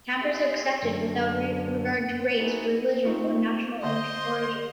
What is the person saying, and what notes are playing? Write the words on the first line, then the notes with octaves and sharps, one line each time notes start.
Campers are accepted without regard to race, religion, or national origin.
G4 G#4 E5 C6
F#2 D3
C4
D#4 E4 F#4 G#4
A3 C4 D#4 F4
D3 C5 D#5 C6